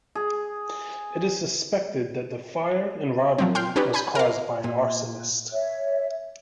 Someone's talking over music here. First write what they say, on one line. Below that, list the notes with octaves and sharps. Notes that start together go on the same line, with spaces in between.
It is suspected that the fire and robbery was caused by an arsonist.
G#4
F3 F#3 C4
G5 C6 F6 G6
C#4 D#4 G4 B4 D5
G#5 B5 G6
A#4 F5
A#2
C#5 E5